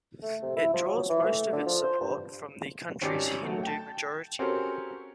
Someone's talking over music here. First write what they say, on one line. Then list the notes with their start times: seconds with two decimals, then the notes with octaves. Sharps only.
It draws most of its support from the country's Hindu majority.
0.22 A3
0.42 C3
0.57 E4
0.74 F3
0.88 F#3
1.10 E3
1.25 A3
1.53 D3
1.66 F3
1.83 C5
2.01 G2
3.01 G#1 C#4 G4 C#5 D5 D6
3.44 F#3 A3
3.63 G5 A5
4.39 C4 C#4 F#4 G4 A4 A#4